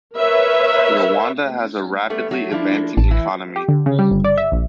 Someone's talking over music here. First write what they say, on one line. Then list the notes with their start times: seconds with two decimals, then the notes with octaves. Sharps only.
Rwanda has a rapidly advancing economy.
0.17 A#4 B4 C#5 E5
2.10 G3 A3 B3
2.31 F#3 A3
2.51 F3 D4 E4
2.97 A1 A5
3.11 E3 E4
3.56 G4
3.69 D3
3.86 C#3
3.99 G3
4.11 G1
4.24 D5
4.38 E5
4.52 A#1